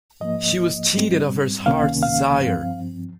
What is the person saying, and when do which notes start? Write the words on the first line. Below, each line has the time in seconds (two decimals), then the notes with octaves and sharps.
She was cheated of her heart's desire.
0.20 G#2 F3 A#3 D#5
0.94 G#2 G3 C4
1.66 C#2 C3 D#3 A#3 C#4 F5
2.03 F5
2.39 G2 F3 C4